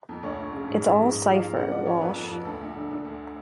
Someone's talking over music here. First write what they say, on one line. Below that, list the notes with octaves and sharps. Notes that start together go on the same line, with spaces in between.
It's all cypher, Walsh.
F2
D2 C#5
D2
C#3
G#2
G#2
F3
G#2
F3
F5
F3
C#3 F#5
F3 D5
F3 C#5
F2 B4
F2
A4
F3
D2 A4
D2
D3
D3
D2